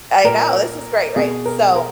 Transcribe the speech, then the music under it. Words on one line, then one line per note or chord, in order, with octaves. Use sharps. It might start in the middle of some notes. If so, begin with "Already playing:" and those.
I know, this is great, right? So,
A#2 A#4
B2 G#4
A#4
A#4